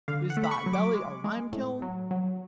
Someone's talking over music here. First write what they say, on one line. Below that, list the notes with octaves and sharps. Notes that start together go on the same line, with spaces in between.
Is thy belly a lime-kiln?
D3 F5
F#5
A3
B5
C#6
F#3
D6
G#3
G#3
A2
F#3
F#3